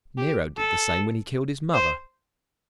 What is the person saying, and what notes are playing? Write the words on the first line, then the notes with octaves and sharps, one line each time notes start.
Nero did the same when he killed his mother.
G4
A4
C5